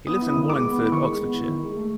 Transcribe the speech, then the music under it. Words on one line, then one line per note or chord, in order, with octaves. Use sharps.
He lives in Wallingford, Oxfordshire.
B3 D#6
E4
D#6
D#3
G#3 D6
B3
E4
D#3 C#6
G#3
B3
E4
D#3
G#3
A3